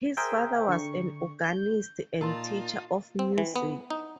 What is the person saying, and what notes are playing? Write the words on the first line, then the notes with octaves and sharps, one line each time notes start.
His father was an organist and teacher of music.
G#4 A#4 C5 E5 G5 G#5
D3 C#6
G6
A#2 D#4 F4 A#4 A5 A#5 C6
C4
E3
B3
D#4